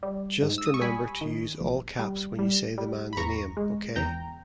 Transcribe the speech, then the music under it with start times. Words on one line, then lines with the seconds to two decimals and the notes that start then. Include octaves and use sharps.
Just remember to use all caps when you say the man's name, okay?
0.03 G3
0.42 G#2
0.58 E6
0.66 D#6
0.74 C#6
0.81 G3 G#5 B5
1.21 D#3
1.61 A#1
1.99 G3
2.39 G3
2.78 G3
3.13 B5
3.17 E2 A#5 C#6
3.57 G#3
3.96 E2 G5 A#5